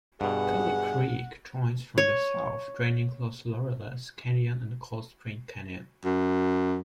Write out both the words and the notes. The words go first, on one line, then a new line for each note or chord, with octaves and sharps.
Kelly Creek joins from the south, draining Los Laureles Canyon and Cold Spring Canyon.
G2 B2 G#4 F#5
C#5
F#2